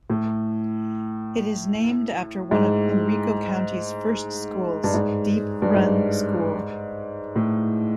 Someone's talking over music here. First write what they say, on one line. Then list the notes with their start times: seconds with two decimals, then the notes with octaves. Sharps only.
It is named after one of Henrico County's first schools: Deep Run School.
0.10 A2
2.51 G#2
4.84 G2
4.94 G#2
5.62 G2
5.74 G#2
7.36 A2